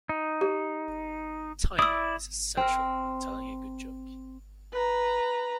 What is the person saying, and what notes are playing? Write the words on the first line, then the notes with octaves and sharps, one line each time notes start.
Timing is essential when telling a good joke.
D#4
G4
E4 D5 D#6 E6
C4 A#4
B4 A#5